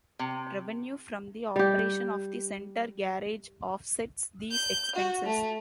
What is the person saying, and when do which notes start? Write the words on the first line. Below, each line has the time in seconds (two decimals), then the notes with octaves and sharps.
Revenue from the operation of The Center garage offsets these expenses.
0.19 C3
1.56 G3 G4
4.52 G6
4.96 F#4
5.27 A3